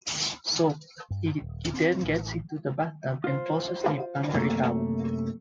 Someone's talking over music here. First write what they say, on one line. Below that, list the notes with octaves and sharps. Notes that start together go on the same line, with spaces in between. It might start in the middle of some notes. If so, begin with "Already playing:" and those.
Soaked, he then gets into the bathtub and falls asleep under a towel.
G2
D#1
C4
A1
F4 C5
F#2 C3 A3 A#3